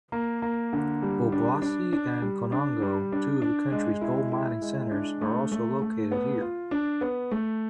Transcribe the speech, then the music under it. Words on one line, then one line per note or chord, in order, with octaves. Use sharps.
Obuasi and Konongo, two of the country's gold-mining centers, are also located here.
A#3
A#3
D3
G3
D4
D4
D4
G3
D4
G3
D4
D4
G#3
E4
E4
G#3
D4
A3
A3
A3
B3
F4
D4
B3
A3